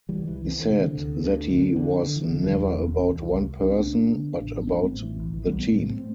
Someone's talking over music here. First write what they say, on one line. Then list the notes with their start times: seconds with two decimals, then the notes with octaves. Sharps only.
He said that he was never about one person, but about the team.
0.09 E3 G3
0.18 C2
0.27 E3
0.44 C3 E3
0.62 E3
0.71 C3
0.80 D3
0.98 D2
1.24 D2
1.50 D3
1.76 D3
2.04 D3
2.16 E3
2.29 E1 D3
2.42 D3 F3
2.56 E2
2.82 E1
3.08 C2
3.35 C2
3.61 C3 D4
3.70 C4
3.78 B3 D4
3.88 C3
4.15 D3
4.40 A1
4.67 G2 B3 D4
4.84 A3 C4
4.93 A1
5.02 E3
5.19 B1
5.33 E3
5.46 B1 G3 B3
5.60 G3 B3
5.72 A2 A3 C4
5.91 A3 C4